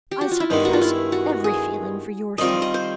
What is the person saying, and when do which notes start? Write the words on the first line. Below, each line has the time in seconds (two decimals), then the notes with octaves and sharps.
I sacrifice every feeling for your sake.
0.11 G4
0.21 F#4
0.31 F4
0.40 E4
0.50 G2 D#3 G#3 B3 D#4
0.65 F#4
0.73 F4
0.81 E4
1.12 F#4
1.44 G#4
2.38 D#3 G3 C4 F4 D#5
2.62 D#5
2.74 C5